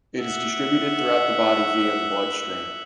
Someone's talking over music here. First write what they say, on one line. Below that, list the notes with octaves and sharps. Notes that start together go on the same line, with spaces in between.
It is distributed throughout the body via the blood stream.
E5 F#5